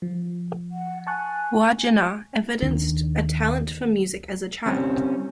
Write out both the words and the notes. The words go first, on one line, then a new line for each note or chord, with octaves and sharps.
Wagenaar evidenced a talent for music as a child.
F3
F#5
G#5 A5 C#6 F#6
D#2 D#3 D4
G3 C4 C#4